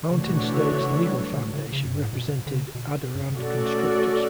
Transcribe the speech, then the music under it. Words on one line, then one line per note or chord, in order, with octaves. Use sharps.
Mountain States Legal Foundation represented Adarand Constructors.
C#3 E3 A3 D4 F#4 C#5
C#3
B2
B2
C#3
D3
C#3
D3
G3
F#3
D3
D3
C#3
F#2
G2
A2
B2
D3
C#3
B2
G2
B2 A3 C#4 F#4 A4 D5